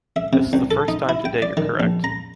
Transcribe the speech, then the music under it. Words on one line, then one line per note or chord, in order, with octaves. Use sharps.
This is the first time today you’re correct.
E5
C3
C2
A4
D#4
E4
G5
D5
D#3
A#1
A#5